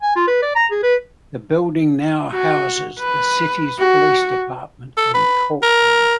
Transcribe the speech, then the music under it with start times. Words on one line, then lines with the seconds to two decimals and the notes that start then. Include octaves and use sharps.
The building now houses the city's police department and courtroom.
0.02 G#5
0.15 F4
0.27 B4
0.42 D5
0.55 A#5
0.71 G#4
0.83 B4
2.31 F#4
2.99 B4
3.79 F#4
4.97 A4
5.14 B4
5.62 A#4